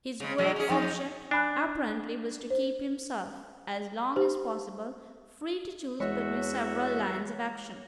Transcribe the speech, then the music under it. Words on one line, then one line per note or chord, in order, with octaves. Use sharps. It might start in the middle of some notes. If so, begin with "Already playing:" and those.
His great object, apparently, was to keep himself, as long as possible, free to choose between several lines of action.
C#3 G#3
B2 F#3 G#3
C#4 G#4
F2 D#4
D4 G#5 B5 F#6
C5
G4 C5
E2 G#3 F#4 C#5 E5